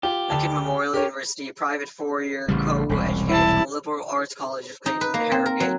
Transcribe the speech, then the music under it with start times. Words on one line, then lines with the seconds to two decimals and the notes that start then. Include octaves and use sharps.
Lincoln Memorial University, a private four-year co-educational liberal arts college, is located in Harrogate.
0.03 F4 G4
0.30 D2 A5
0.94 G4 A#4 C#5
2.48 A1 C#3 G3
2.89 E1 C2
3.29 E4 A5
4.86 D#4
5.01 B4
5.14 A#3
5.32 C4
5.46 A#4
5.60 F#3